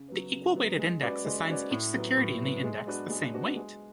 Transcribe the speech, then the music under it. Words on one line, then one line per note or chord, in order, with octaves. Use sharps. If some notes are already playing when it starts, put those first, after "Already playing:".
The equal-weighted index assigns each security in the index the same weight.
Already playing: C#3
F#3 B3
C#3
F#3 B3
G#3
C#4 F#4 B4 D5
G#3
C#4 F#4 B4 D5
A2
F#3 B3
A2
F#3 B3
G#3
B3 D4 F#4 B4
G#3
B3 D4 F#4 B4
G#3